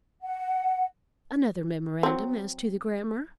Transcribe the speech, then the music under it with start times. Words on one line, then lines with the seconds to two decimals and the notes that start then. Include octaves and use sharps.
Another memorandum as to the grammar.
0.22 F#5
2.03 F#3 C4